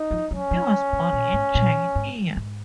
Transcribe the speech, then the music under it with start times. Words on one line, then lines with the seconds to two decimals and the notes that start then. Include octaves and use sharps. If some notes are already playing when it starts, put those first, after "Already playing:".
He was born in Chania.
Already playing: D#4
0.11 F3
0.31 F#3 C#4
0.51 F3
0.93 C3
1.13 A#2
1.33 G#2
1.55 A#2
1.95 G#2
2.37 G#2